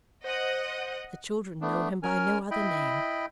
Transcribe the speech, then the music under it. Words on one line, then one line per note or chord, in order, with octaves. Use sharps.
The children know him by no other name.
C5 D#5 F#5 D#6
A3 B3 D4
C#4 A#4 G#5 F6
E4 D#5 G5 B5